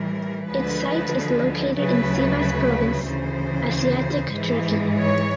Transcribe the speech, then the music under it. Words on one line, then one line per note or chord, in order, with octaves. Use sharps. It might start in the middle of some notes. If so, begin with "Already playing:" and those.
Its site is located in Sivas Province Asiatic Turkey.
Already playing: A2 E3 G3 A#4
D2 D3 F3 G#3 B4
D2 C#3 F#3 A3 B4
B4
D2 C#3 E3 C5
G#2 E3 G#3
C#5